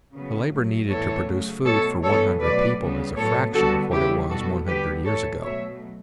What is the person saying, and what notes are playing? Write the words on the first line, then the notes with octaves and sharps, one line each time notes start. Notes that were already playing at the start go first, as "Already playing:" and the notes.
The labor needed to produce food for one hundred people is a fraction of what it was one hundred years ago.
C#3 F#3 B3
A2 F#3 A3
A2 E3 G3 B3 A4 C#5
C#3 F#3 A3
B2 A3 A4 C#5
A2 E3 B3 A4 C#5
B2 F#3 A3 B4 D5
C#3 G3 B3
A2 F#3 B3 A4 C#5
D3 G3 B3 F#4 A4
C#3 G3 B3 E4 G4
B2 G3 B3 F#4 A4
D3 G3 B3 G4 B4
A2 E3 A3 A4 C#5
B2 F#3 A3 C#5 E5